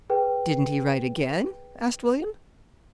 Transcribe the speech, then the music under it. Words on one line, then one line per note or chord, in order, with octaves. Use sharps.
"Didn't he write again?" asked William.
G#4 B4 G5